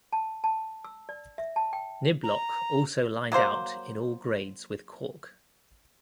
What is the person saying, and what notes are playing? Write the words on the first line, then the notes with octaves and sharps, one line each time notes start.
Niblock also lined out in all grades with Cork.
A5
A5
E6
D5
E5
A5
G5
A#5
F#3 A#3 C5 F5